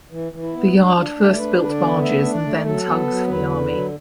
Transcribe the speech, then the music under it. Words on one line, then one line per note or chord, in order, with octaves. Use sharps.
The yard first built barges and then tugs for the Army.
E3
E3
E4
B3
D4
D4
A3
D5
D4 B4
D3 B4
D5
B3
A3 E5
D4
D5
A3
F#3 A4
B3
F#3
E2 B4
D3
F#3